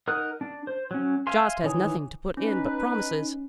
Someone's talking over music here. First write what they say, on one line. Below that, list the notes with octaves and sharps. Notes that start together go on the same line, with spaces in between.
Jost has nothing to put in but promises.
D#4 A#4 F#5 D#6 F#6
D4
C5
F#3 C#4
E5 F5 G#5 C6
D#3 E3 C#5 G#5 D#6
C#4 D#4 B4